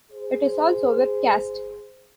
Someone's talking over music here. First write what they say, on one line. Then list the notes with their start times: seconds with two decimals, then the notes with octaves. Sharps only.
It is also webcast.
0.12 G#4 C5